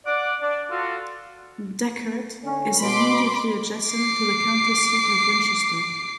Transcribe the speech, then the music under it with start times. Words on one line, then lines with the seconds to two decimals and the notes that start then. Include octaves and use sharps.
Decherd is immediately adjacent to the county seat of Winchester.
0.06 D5 F#5 D6
0.42 D4 D5
0.71 F4 F#4 A4
2.44 D3 C#4
2.81 B2 B5 C6 D6
3.89 D6 C7